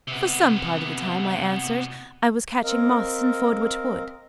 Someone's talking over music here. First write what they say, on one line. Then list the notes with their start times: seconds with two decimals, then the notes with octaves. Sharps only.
"For some part of the time," I answered, "I was catching moths in Fordwitch Wood."
0.07 C3 B3
2.63 C4 A#4 D#5 F5